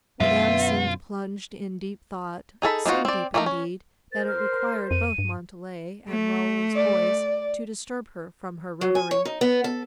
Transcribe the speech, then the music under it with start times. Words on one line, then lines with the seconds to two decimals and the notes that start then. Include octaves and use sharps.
Madame seemed plunged in deep thought, so deep, indeed, that it required both Montalais and Raoul's voice to disturb her from her reverie.
0.20 F#2 B2 D3 B3 F4 E5
2.62 D#4 G#4 A4 B5
2.86 A#3 D#4 F4 F#4
3.05 C4 D5
3.34 A3 A#3 D4 D#4 A#4
3.46 C#4
4.12 A#4 C5 A6
4.28 F6
4.91 F2 D#7
5.18 G2
6.09 A3
6.75 D5
8.81 F#3
8.95 G#5
9.11 C#5
9.25 D#4
9.41 B3
9.64 A4